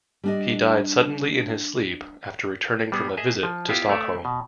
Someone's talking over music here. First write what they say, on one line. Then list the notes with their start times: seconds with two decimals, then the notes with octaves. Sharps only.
He died suddenly in his sleep after returning from a visit to Stockholm.
0.24 G3 D4 D#5
2.92 G3 B3 G#4
3.17 G#4 D#5 E5 G#5
3.43 F3
3.69 B3 E4 F4 G4
3.89 A3 C#5 D5 E5
4.25 B2